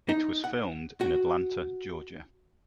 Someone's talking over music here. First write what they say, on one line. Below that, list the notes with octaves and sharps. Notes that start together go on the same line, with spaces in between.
It was filmed in Atlanta, Georgia.
D#4
F#5
F#4